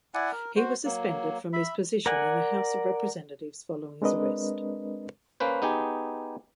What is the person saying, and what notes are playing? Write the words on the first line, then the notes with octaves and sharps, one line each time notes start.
He was suspended from his position in the House of Representatives following his arrest.
E4 D5 F#5 G#5
A#4
F#4 C5
F#3 A#3
E5 B5
A#4 D5 F#5 G#5
G#3 C4 D4 A#4 B4 D#5
A#3 C#4 B4 C5
B3 D#4 G4 G#4